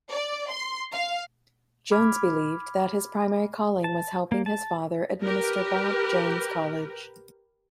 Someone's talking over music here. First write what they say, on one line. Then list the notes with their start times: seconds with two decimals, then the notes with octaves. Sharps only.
Jones believed that his primary calling was helping his father administer Bob Jones College.
0.11 D5
0.50 C6
0.93 F5
1.91 B5 D6 F6 G#6
3.84 A5
4.32 A#3
4.46 A5
5.22 G4 A#4 B4